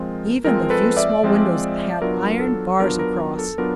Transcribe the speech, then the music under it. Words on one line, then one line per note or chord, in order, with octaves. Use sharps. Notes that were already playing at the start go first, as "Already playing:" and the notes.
Even the few small windows had iron bars across.
Already playing: F3 G#3 C4 F4 A#4
F3 G#3 C4 F4 A#4
A4 B4
D5 E5
F3 G#3 C4 F4
F#3 B3 D4 F4 A#4
A4
F#3 B3 D4 F4 A#4
A#4
A#4
A4
F#3 B3 D4 F4 A#4